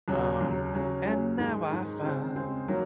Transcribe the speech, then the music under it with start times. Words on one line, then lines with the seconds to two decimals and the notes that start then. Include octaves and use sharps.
Um, And now I find,
0.08 D#2 C#3 F#3
0.41 D#2 C#3 F#3
0.73 C#3 F#3 C#4
1.05 C#3 F#3 C#4
1.38 G#2 D#3 G#3
1.71 G#2 D#3 G#3
2.03 C#3 G#3 C4
2.36 C#3 G#3 C4
2.68 D#3 F#3 A#3